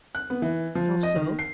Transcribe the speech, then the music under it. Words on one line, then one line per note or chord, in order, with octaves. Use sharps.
"How so?"
F#6
B3
E3
F3
D#5
D#3
C7